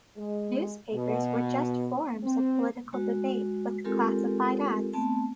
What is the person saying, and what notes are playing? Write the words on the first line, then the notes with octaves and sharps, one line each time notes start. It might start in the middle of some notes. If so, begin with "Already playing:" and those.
Newspapers were just forums of political debate with classified ads.
G#3
B2
C4
G#3 F#4
G#3 C4 F4 G4 A4 A#4
A3 B3 C4 A5